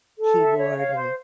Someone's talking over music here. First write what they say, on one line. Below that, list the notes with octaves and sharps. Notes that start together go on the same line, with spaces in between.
keyboard and
A4
E5
C#5
F5
C5